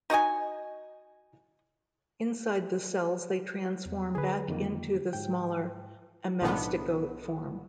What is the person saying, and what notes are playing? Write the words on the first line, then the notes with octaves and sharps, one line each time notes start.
Inside the cells they transform back into the smaller amastigote form.
D#4 F#4 D#5 G#5
E2
D3 F#3 G#4 B4
F2 D#3 A#3
G#2 G5
B1 A2 D3 D#3 B3